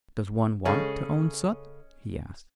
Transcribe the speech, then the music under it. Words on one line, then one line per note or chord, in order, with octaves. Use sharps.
"Does one want to own soot?" he asked.
C#3 G#3 C#4 G#4 A4